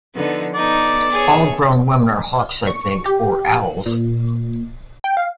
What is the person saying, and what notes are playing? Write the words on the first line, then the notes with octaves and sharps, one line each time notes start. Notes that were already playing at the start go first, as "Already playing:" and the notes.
All grown women are hawks, I think, or owls.
D3 F3 B3 D#4
B3 D#4 A4 D5
G#4 C#5
C#6
G4
A#2
G5
F5